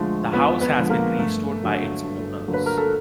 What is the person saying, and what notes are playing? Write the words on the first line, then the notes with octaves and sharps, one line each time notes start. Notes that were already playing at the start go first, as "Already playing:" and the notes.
The house has been restored by its owners.
Already playing: F2 D3 F3 G#3 A3
F2 B3 B4
B3 B4
D3 F3 G#3
A#3 A#4
G2 A3 A4
D3 F#3 A#3
G2
D3 F#3 A#3
B4
A#4
A4